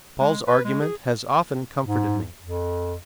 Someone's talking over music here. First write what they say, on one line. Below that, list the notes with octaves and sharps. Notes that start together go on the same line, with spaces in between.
Paul's argument has often comforted me.
G#3
B4
G#3
G#4
G#2
F2